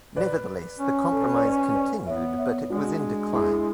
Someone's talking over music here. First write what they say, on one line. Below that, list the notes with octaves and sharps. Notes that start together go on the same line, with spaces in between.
Nevertheless, the Compromise continued but it was in decline.
B4 D5
C#4
A4
B4
C#5
B4 D5
B4 D5
B3 C#5 E5
C#5 E5
G#3 D4 F#4
E4 G#4